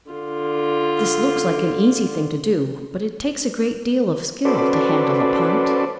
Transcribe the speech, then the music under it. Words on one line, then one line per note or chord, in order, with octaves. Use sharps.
This looks like an easy thing to do, but it takes a great deal of skill to handle a punt.
D3 F4
C#4 F#4 A4 B4 C5 D5